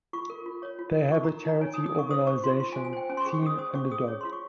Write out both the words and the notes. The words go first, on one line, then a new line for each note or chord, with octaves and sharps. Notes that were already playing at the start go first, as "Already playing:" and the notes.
They have a charity organization, Team Underdog.
F4 C#6
A#4
F4
C#5
F4
A#4
D#4 C#6
A#4 A#5
D#4 A#5
C#5 G#5
D#6
D#4
D#6
A#4 C#6
C5 D#6
C5 C#6
F4 C6
F4 C6
G#5
C5
G#5
C5 G5
C#4 G#5
C6
C#6
G#4
C#6
C#4 D#6
C5 D#6
C#4 C#6
G#4 D#6
C#5
F4 C6
C#6